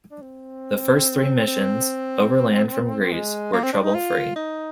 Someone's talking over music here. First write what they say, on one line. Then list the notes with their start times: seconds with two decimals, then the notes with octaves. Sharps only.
The first three missions, overland from Greece, were trouble-free.
0.11 D4
0.22 C4
1.47 C4
3.12 G#3
3.53 A#3
3.63 C4
3.73 D4
3.84 D#4
3.95 F4
4.36 D#4